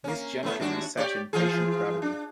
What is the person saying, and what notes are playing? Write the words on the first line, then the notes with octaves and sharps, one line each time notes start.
Miss Jenkyns sat in patient gravity.
A#3 C#4
A2 A3 B3
D#2 D4 F#4
G4 C#5 D5
E3 F4 G#4
D4